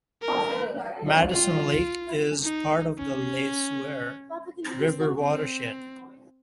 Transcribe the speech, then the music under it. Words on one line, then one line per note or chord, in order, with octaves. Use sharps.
Madison Lake is part of the Le Sueur River watershed.
A#4
F4
D#4
C#4
C4
C4